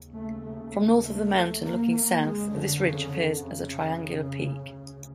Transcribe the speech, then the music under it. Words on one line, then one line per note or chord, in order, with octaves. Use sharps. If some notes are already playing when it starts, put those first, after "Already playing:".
From north of the mountain, looking south, this ridge appears as a triangular peak.
Already playing: D#2 C#3
A3
A3
A3
A#3
A#3
F2 C#3 G#3
D3
C#3
D3
C#3
D2 C#3